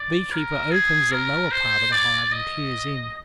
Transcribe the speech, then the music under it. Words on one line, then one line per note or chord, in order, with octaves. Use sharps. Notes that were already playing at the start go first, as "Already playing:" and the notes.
The beekeeper opens the lower part of the hive and peers in.
Already playing: D5
A#4
G#4
A#4
C5
D5
D#5